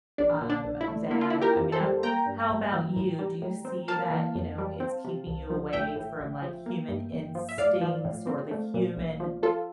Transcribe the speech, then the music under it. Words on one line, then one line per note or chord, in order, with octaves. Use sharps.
um, that I mean, I How about you? Do you see that, you know, it's keeping you away from, like, human instincts or the human
A#1 D4
A#2
D4
A#1
E4
A3
A#3 E4
F4
D3 E4
G4 A#4
F2
A4 C5
G3
A#3 G5 A#5
G2
A1
E3
A2
G3
A2
C4
A#3 F5 A5
E3
F2
G3
C4
C3
C2
F3
A1 E5 G5
A2
A1
F3
A#3
G2
G1
F3
E5
A2 D5 F5
F3
A2
C4
A3
A#2
A#1
F3
F3 F4 A4